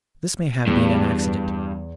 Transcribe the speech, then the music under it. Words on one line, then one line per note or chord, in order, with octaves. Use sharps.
This may have been an accident.
E2 G2